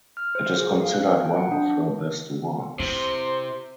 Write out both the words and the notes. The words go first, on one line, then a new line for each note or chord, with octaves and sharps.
It is considered one of her best works.
F6
C5
G#4
F5
F#6
C4
G5
F#5
D4
C3 E4 C5